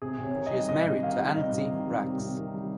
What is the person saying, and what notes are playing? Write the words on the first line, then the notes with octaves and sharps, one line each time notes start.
She is married to Antti Brax.
C3 G#4
C3
C#5
D#3
D#5
G3
C3 D#5
C3
D#3 F5
G3
C3 D#5
C3
D#3
G3
C3
C3
D#3
G3